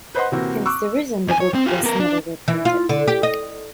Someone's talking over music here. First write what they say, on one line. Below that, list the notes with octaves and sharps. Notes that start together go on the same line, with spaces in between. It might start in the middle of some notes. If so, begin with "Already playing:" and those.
Hence the reason the book was never reprinted.
B4 C5 D#5 F#5 C6
C3 E3 A#3 C4 F#4
C#6 D6 E6 F#6
F2 G#5
C#5
C4
F4 G4
B3 A#4
D4
E3
F4
D3
G4
D#5